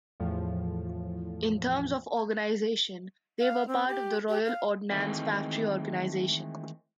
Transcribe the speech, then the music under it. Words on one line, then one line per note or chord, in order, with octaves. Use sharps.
In terms of organisation, they were part of the Royal Ordnance Factory organisation.
E2 A2 F3
F5
C4
G4
G4
F5
D#3 E3 G#3 A3 C4